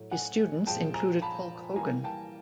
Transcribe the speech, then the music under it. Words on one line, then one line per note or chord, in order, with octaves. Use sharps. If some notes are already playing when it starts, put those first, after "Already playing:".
His students included Hulk Hogan.
Already playing: A2 F#3 A3
F#5 G#5
A#2 F3 G#3 G5 A5
G#5 A#5
A5 B5
E3 G3 A#3 G#5 A#5
G5 A5